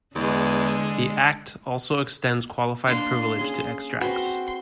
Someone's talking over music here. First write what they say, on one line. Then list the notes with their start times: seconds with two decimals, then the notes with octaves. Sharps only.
The Act also extends qualified privilege to extracts.
0.15 E2 D3 G#3
2.87 A#3 D4 C6
3.39 C#4 G#4
4.00 C4 F#4 B4 C6